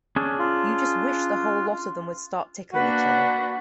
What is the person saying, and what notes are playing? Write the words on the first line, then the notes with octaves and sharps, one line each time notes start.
You just wish the whole lot of them would start tickling each other.
C#4 D4 G#4
F4
A#3 D4 F#4 B4 F#5